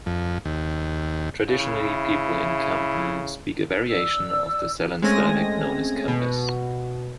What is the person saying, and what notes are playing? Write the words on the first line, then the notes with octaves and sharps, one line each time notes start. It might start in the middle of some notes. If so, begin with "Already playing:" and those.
Traditionally people in Kampen speak a variation of the Sallands dialect, known as Kampers.
F2
D#2
C#3 E4
D5 E6
G#3 A3 C4 C#4 G#5 A#6
B2